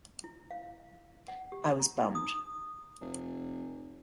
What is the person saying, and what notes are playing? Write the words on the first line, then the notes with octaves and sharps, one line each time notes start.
I was bummed.
E4
F5
F#5
G4
A#5
D#4
D#6
F1